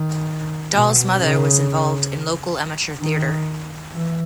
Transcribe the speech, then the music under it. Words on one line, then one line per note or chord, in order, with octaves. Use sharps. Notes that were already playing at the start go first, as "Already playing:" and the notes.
Dahl's mother was involved in local amateur theatre.
Already playing: D#3
B2
C#3
D#3
E3